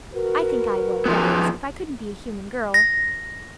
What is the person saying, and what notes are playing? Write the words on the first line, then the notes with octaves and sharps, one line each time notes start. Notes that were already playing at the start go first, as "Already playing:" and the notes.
I think I would--that is, if I couldn't be a human girl.
F#4 A#4 B4
F3 B3
A#6